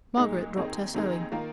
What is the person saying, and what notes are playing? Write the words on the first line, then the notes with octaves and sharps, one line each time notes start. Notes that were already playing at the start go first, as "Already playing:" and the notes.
Margaret dropped her sewing.
A#2 G#3 D#4
D#2 D#3 C4 D#4 G#4
D#2 D#3 C4 D#4 G#4
D#3 A#3 F4 A#4